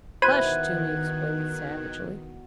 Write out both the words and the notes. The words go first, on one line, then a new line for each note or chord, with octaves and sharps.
"Hush!" Toomey exploded savagely.
B2 D#3 E4 C5 B5 F#6 G#6 D#7